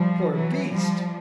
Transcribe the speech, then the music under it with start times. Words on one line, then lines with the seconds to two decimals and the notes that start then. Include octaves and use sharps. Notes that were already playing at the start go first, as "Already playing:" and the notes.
"Poor beast!"
Already playing: F3 G3
0.32 E3 F#3
0.72 F3 G3